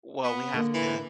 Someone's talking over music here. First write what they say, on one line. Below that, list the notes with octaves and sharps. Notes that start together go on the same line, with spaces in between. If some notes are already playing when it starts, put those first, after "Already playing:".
Well, we have to
B3
D3 A#3
E3